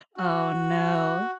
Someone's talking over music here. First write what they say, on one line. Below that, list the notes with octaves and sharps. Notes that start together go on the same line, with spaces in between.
Oh no.
F#4